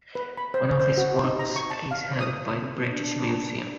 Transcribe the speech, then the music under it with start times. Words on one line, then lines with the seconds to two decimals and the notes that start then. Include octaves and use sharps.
One of his works is held by the British Museum.
0.15 B4
0.37 B5
0.54 C5
0.80 C5
0.97 F#4
1.24 D#4
1.39 A#5
1.56 C#6
1.70 A5
1.91 F5
2.21 D#6
2.91 D4